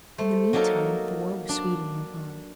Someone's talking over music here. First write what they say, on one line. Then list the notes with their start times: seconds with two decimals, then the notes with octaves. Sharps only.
In the mean time the war with Sweden went on.
0.18 A3 C5
0.53 F#3 A#3 D#4 A4 A#4
1.49 D4